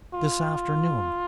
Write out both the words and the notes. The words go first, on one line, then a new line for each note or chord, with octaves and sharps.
This afternoon....
F4